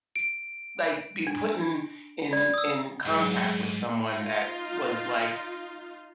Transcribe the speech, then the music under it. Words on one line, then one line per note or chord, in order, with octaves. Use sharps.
like, be put in in in contact with someone that was like,
D7
D4
D5
D#6 E6
G#2 F#3 G#4
D#4 F4